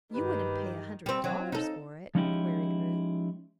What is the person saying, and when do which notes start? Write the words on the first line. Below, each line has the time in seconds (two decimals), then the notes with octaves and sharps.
"You wouldn't pay a hundred dollars for it?" queried Ruth.
0.13 G2 D#3 G#3 G4 B4
1.06 G3 C4
1.24 F#3
1.52 D#4 A4
2.15 F3 G#3 C#4 D#4 E4 G4